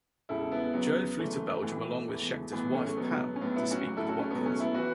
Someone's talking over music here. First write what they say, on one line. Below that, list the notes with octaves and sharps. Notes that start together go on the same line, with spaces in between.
Joann flew to Belgium along with Scheckter's wife Pam to speak with Watkins.
E1 E2 C#3 E4 A4
B3 E4
E2 C#3 F#3 B3
F#1 F#2 E3 A3
A1 A2 E3
E1 E2 E3
B1 A2 E3 B3
A3 C#4
A3
C#2 B2 F#3 B3
C#4
B1 A2 F#3 B3
B3 E4
C#4 F#4
A1 A2 F#3
E4 A4
C#4 F#4
A3 C#4
C#2 B2 F#3 B3
A3 C#4
B3 E4
E3 F#4 B4